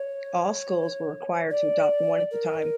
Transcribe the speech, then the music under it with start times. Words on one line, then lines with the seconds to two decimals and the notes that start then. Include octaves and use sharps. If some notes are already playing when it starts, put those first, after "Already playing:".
All schools were required to adopt one at the time.
Already playing: C#5
1.51 D5
2.31 A#4